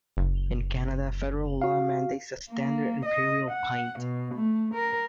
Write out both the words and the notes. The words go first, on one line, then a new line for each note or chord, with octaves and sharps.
In Canada, Federal law mandates a standard imperial pint.
F#1
F#4 F5
A#3
D#5
F#5
B2
A3
A#4